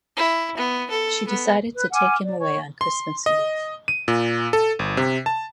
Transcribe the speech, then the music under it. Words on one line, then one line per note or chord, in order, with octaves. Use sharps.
She decided to take him away on Christmas Eve.
E4
B3
A4
B3
B4
F#5 G#5 D6 F6
D5
C#5 C#6
C6
D#5
D#7
A#2
A4
G1
C3
A5